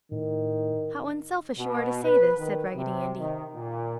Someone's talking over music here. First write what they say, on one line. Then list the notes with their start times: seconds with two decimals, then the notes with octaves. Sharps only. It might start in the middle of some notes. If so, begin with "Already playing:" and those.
"How unselfish you are to say this!" said Raggedy Andy.
0.12 A2 D#3
1.57 B2
2.04 B4
2.38 D#3
2.75 C3
3.19 D#3
3.55 A#2